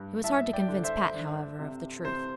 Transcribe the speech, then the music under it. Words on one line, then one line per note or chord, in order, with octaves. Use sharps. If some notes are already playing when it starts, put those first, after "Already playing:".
It was hard to convince Pat, however, of the truth.
Already playing: G2
G2 E5 A5
D5 G5
D3
C5 E5
D4
C3
C3 C5